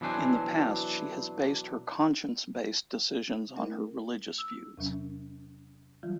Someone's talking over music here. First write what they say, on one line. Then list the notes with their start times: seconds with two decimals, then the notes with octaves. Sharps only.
In the past she has based her conscience-based decisions on her religious views.
0.01 B2 E3 F#3 D4 C5 G#5
3.56 A3 E4 A#4
4.38 E6
4.77 E2 C3 F#3 C#4
6.03 E3 F#3 G3 F4